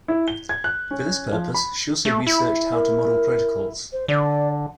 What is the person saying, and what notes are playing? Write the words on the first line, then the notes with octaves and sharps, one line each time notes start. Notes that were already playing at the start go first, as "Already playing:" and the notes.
For this purpose, she also researched how to model protocols.
E4
G7
G#6
F#6
C#4
F3
B5
A3
E4
A#4
C5
D3 D5